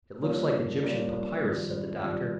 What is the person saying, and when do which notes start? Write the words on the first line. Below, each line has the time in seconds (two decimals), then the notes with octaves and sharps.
"It looks like Egyptian papyrus," said the doctor.
0.22 G2 F3 A#3 C#4
0.83 G2 F3 A#3 C#4
1.43 G#1 G2 F3
2.03 G#1 G2 F3